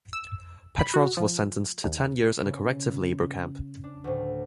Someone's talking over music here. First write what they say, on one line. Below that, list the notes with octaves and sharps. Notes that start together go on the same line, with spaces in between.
Petrovs was sentenced to ten years in a corrective labor camp.
E6
B5
F#4
F3
D#2
C#3
D4
D2 A2